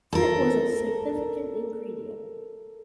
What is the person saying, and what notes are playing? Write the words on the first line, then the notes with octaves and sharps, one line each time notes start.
Frit was a significant ingredient.
A4 A#4